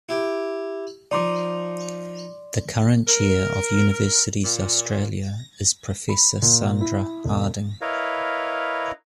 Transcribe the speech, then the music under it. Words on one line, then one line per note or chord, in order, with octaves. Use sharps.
The current chair of Universities Australia is Professor Sandra Harding.
E4 G4
F3 D#4 D5 C6 D6
A#4
A#2
B5
A#2
E4
E1
E4 A#4 B4 C#5 D#5 F5